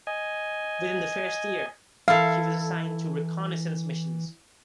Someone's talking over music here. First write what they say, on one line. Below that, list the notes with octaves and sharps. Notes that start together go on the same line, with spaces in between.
Within the first year, she was assigned to reconnaissance missions.
D#5 G#5
E3 E4 A4 F5